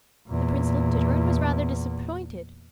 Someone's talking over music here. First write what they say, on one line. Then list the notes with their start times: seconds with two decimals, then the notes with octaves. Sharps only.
The prince looked at her and was rather disappointed.
0.28 E2 A#2